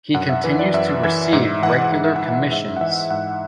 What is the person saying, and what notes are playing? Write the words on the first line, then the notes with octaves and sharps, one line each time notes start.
He continues to receive regular commissions.
F#2 F#5
E5
E3 B4
D5
F#2 E5
E3 E5
G#2 E5
E3 F#5
G#2 F#5
E5
F#5
E3
G#2 E5
F#5
E3 E5
G#2 F#5